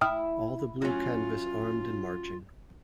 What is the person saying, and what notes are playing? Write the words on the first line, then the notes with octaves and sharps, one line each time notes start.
All the blue canvas armed and marching!
E4 G5 D#6 F6
F#3 C#4 F4